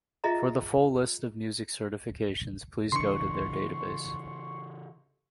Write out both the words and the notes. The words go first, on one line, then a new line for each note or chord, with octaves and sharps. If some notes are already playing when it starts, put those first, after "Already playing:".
For the full list of music certifications, please go to their database.
F4 G#4 D#5 E5 A#5
C#3 E3 D4 C6 C#6